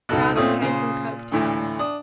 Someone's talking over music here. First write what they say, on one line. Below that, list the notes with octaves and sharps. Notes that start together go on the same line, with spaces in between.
Crowds came from Coketown.
C#2 B2 D#3 A4 F#6
A#2 A3 C4 C#4 F4 D#6
C#3 C5
D2 A2 E3
D4 D#6